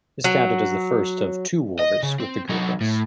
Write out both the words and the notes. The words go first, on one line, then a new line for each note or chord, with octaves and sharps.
This counted as the first of two wars with the Gurkhas.
F#3
D#5
C#3
C4
F#3 D#4
A2